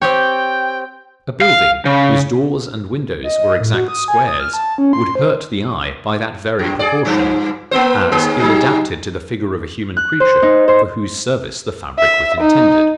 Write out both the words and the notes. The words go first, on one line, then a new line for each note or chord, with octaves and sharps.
A building, whose doors and windows were exact squares, would hurt the eye by that very proportion; as ill adapted to the figure of a human creature, for whose service the fabric was intended.
C4 G4 C#5 G5
F5
C#3
D#5
D#5
A2
F#4
D#6
G#5
D#6
F6
A5
C#4
C6
C5
F#2
G#4 D5
G2 F3
A#3 B3 C5
D#2 A#3 G#4
F#3 D#4 G#4
F#6
C5
D#4
C5
E5
D#4